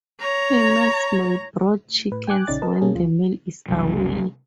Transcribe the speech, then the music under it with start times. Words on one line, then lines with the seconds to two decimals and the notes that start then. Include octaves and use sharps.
Females may brood chicks when the male is away.
0.20 C#5 A#5
2.12 A2 B4
2.27 G5 G#5 D6 F#6
2.47 A#1 C#3 C#4 D#4 D5 A6
2.62 A#4 B4 D#5 A5
2.81 B2 A#3 C#4 G#4
2.95 D2 F3 F4
3.68 F#1 C2 F#3